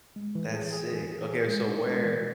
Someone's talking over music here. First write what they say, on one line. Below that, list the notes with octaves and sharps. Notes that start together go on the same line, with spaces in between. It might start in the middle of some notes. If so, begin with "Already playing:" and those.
That's sick. Okay, so where
G#3
E3
G#4
G#4
E3
G#4
G#4
G#3
D4
G#3
E3